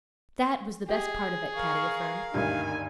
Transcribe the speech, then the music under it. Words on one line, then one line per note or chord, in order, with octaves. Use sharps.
"That was the best part of it!" Patty affirmed.
G4 G#4 D#5
A#4 F5 C#6
G#1 D2 G2 D#3 G#5